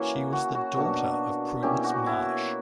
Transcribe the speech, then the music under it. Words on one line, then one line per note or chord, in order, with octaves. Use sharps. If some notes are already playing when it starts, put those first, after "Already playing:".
She was the daughter of Prudence Marsh.
Already playing: E3 A#3 C#4 E4 F#4 C#5
F#4
F#4
B2 A#3 D4 F#4
B2 A#3 C#4 E4 G4
F#4
E4